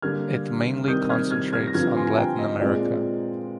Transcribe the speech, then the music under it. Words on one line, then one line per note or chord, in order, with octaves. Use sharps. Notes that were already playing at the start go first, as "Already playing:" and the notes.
It mainly concentrates on Latin America.
D3 G3 A#3 F6 G#6
F6
C3 D#3 G3 C4 D#6 G6
F6 G#6
F6 G#6
F6 G#6
A#6
G2 D3 F3 C4 F6 G#6
G#5 C6
G5 A#5
D#5
A#2 G#3 C4 D5